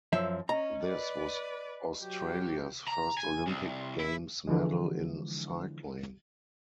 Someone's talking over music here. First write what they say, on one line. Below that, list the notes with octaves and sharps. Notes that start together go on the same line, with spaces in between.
This was Australia's first Olympic Games medal in cycling.
F#2 F3 E5
C#4 D#5 A#5
B4 D5
F#3 G4
A#5
G#5
C2
E4
D3 E3 F3 G#3